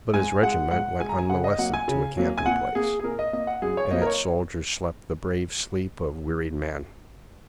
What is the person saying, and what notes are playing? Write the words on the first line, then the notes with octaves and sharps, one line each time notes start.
But his regiment went unmolested to a camping place, and its soldiers slept the brave sleep of wearied men.
G#2 G#5
G#3 F#5
G#2 F#5
G#3 G#5
A#5
G#5
C#3 F#5
D#5
F#3 A#3 F#5
G#5
C#3
F#3 A#3
G#5
A#2 F#5
A#3 G#4
G#4
A#2 A#4
D#5
A#3 D#5
F#5
F#2 G#4
C#5
F#3 A#3 D#5
A#4
C#5